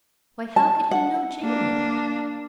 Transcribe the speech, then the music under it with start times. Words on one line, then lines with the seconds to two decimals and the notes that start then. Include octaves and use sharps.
"Why, how could he know Jamie?"
0.56 A5
0.91 F#5
1.41 A#3 D4